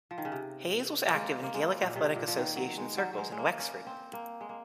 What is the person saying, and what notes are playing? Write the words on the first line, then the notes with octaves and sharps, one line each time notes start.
Hayes was active in Gaelic Athletic Association circles in Wexford.
F3
D#3
C#3
C3
A#3
G#3
A#3
G#3
A#2
C3
A#2
F3
D#3
F#3
G#3
F#3
F#3 G#3
G#3
A#3
C#4
C4
A#3
G#3
A#3